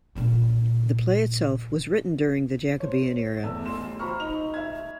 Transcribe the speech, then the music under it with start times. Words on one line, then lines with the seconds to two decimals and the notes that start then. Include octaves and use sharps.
The play itself was written during the Jacobean era.
0.15 A#2 D3
2.80 C5 C#5
3.43 E2 A3 E6
3.66 A1 C6 E7
3.99 F4 C5 A#5 B5 C#6 F6
4.20 D#4 F7
4.54 E5 G#6